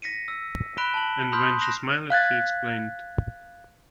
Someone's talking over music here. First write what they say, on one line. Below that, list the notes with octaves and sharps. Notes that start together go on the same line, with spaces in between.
And when she smiled he explained.
A#6 B6 C#7 D#7
E6
B5 F#6 B6 D7 E7 G7
A5 F#7
B5 C6 D#6 F6 G6 B6
F#6 A#6 C7 E7 F7
F5 F#6 G#6 A6